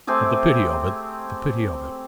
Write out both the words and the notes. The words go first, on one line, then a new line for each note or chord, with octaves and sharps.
But the pity of it--the pity of it!
A3 C4 G4 G#4